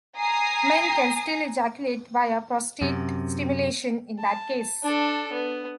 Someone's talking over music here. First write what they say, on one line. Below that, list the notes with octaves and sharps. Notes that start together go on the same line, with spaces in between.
Men can still ejaculate via prostate stimulation in that case.
G#5 A#5 D#6 C7
F#2 C3
A5
D4 A4
B3